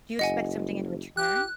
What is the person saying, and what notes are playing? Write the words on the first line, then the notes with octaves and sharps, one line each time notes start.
Do you expect something in return?
F#1 D#5 F#5 G#5
G4 F#6